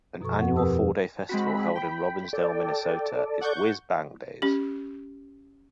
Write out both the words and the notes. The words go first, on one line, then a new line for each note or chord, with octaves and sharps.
An annual four-day festival held in Robbinsdale, Minnesota is Whiz Bang Days.
F#2 B2 F3 A4 C#6
E2 F3 C4 F#5
G4 A#4 B4 D#6 E6
F4
G#3 C4 F#4 B5
G5
A4 D5
F#5 C#6 G6
C#4 G4